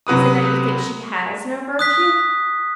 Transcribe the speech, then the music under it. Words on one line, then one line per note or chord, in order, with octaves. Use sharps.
Is it that you think she has no virtue?'
C3 F#3 B4 D#6
D#6 F#6 B6